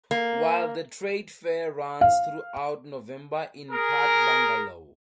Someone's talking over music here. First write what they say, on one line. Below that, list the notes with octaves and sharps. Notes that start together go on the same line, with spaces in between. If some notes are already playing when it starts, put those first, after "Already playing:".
While the trade fair runs throughout November in Part Bungalow.
A#3
F5
G#4 A#4